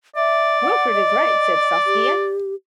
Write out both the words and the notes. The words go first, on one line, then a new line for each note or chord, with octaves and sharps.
"Wilfred is right," said Saskia.
D5 E5
F#5
D#5
G4